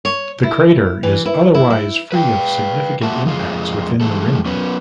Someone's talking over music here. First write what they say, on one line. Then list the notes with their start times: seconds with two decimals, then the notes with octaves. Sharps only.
The crater is otherwise free of significant impacts within the rim.
0.05 C#5
0.43 E4
1.03 E3
1.26 E4
1.54 E4
1.70 E4
2.12 B4 F5 G5
3.02 A#3 F4 F#4 E5 A5
3.25 F2 G#3 F4
4.01 E3 G#3 A4
4.46 F#3 B3 C#4 B4